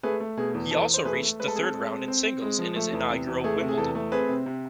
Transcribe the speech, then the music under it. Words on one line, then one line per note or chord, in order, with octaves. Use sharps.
He also reached the third round in singles in his inaugural Wimbledon.
A3 G#4 B4
A3
B2 G#4
E2
E2 A4
E2
C5
A3 G#4 B4
A3
G#3 B4
A4
C4 G#4
A4
G#3
C4
C4
C4
G#3
F3
A3
E2
C3
E2
A3 G#4
C3
G#4
E2 A4
A3
C4 G#4 B4
C3
C3